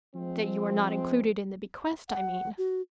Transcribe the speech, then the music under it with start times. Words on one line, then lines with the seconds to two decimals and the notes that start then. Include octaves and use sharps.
"That you are not included in the bequest, I mean."
0.15 F3 G#3 C4
2.09 F#5
2.58 F#4